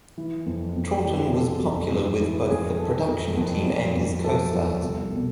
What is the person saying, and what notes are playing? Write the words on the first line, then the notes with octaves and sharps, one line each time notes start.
Troughton was popular with both the production team and his co-stars.
E3
F2
F2
E3 G4
G#4
C3 A4
F2
F2
E3
F2 G#4
F3 A4
F2 A#4
F2
F2
F2
F3 A4
F3
C2
B2